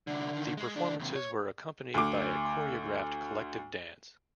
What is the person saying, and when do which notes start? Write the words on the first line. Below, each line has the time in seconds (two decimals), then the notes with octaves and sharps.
The performances were accompanied by a choreographed collective dance.
0.07 C2 D3
0.33 D3 D#3
0.57 G#3
0.76 C#2 D4
0.99 D#2 C3
1.16 C#5
1.94 D2 D6